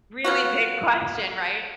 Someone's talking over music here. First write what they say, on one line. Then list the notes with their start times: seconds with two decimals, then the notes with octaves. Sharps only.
Really big question. Right?
0.24 F3 B3 F#4